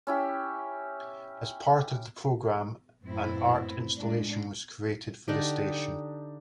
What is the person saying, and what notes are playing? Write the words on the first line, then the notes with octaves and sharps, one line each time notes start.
As part of the program, an art installation was created for the station.
C#4 E4 G4
F#2 A2 B3 C4 E4
A2 G#3 D4
D3 D4 D#4 G4